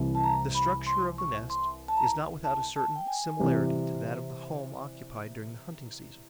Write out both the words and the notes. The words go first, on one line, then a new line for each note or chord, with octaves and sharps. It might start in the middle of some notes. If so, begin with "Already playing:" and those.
The structure of the nest is not without a certain similarity to that of the home occupied during the hunting-season.
Already playing: C2 C3 E3
A5
A#5
B5
C6
C#6
C6
A5
A#5
A5
A5
G5
G#5
C3 E3 G3